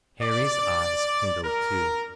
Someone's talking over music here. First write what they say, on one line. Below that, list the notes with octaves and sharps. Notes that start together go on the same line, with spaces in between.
Harry's eyes kindled, too.
D5
A#4